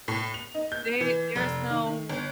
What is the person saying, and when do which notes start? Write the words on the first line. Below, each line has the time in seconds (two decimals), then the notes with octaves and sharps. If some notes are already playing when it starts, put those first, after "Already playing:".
they there's no
0.08 A2
0.34 F7
0.54 D#4
0.72 G6
1.01 E3
1.36 F1
1.70 D#3
1.86 D#3
2.10 G1